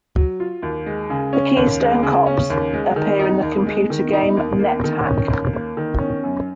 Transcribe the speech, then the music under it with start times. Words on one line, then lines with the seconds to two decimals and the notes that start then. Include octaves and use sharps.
The Keystone Kops appear in the computer game "NetHack".
0.16 F#3
0.40 F4
0.62 D#2
0.86 G#3
1.10 C#3
1.33 C#4
1.56 D#2
1.80 G#3
2.03 C#3
2.26 C#4
2.50 D#2
2.73 G#3
2.96 D#3
3.19 D#4
3.43 D#2
3.66 G#3
3.90 D#3
4.13 D#4
4.37 D#2
4.59 A#3
4.84 D#3
5.06 C#4
5.30 D#2
5.53 A#3
5.77 D#3
5.99 C#4
6.24 F#2